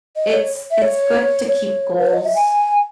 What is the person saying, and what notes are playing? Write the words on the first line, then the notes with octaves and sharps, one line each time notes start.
It's it's good to keep goals
D#5
C#5
E5
C#5
C#5
B4
C#5
D#5
E5
G#5